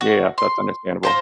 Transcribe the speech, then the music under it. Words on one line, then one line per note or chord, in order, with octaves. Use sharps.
Yeah, yeah, that's understandable.
F#4
C6
F4 C5 A#5